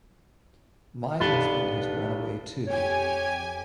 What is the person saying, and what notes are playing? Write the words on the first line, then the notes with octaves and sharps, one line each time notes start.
My husband has run away too.
B1 B3 D4 G4 B4 A6 G7
F2 G4 C#5 G#5